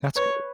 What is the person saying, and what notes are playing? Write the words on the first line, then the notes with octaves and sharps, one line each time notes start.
That's good.
B4 C#5